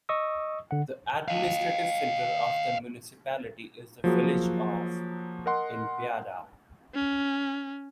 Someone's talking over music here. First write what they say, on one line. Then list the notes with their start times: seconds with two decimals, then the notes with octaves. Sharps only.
The administrative centre of the municipality is the village of Innbygda.
0.09 D#5 C#6 D#6 E6
0.71 D3 F#5
1.28 D#5 F5
4.04 F3 F#3 A#3 F#4 G#4
5.46 A#4 D#5 F#5 C6
6.95 C#4